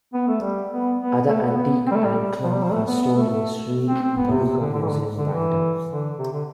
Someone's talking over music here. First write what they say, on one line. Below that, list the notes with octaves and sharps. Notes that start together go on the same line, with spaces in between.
Other antique angklung are stored in the Sri Baduga Museum, Bandung.
B3
A3
G3
B3
B3
A3
B3
B3
C4
G3
A3
G3
F3
G3
F3
A3
B3
B3
A3
A3
C4
C4
B3
C3
C3
D3
D3
E3
D3
D3
E3
D3
C3
D3